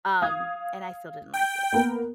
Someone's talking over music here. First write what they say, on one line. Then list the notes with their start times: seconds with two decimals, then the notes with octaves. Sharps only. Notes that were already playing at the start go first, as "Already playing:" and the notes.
Um, and I still didn't like it.
0.22 F5 D#6 G#6
1.34 G5
1.72 A#3 B3 A#4